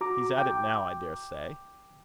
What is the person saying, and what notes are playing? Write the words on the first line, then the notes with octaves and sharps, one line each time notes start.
He's at it now, I daresay.
F#4 A#5 D6
G5 D6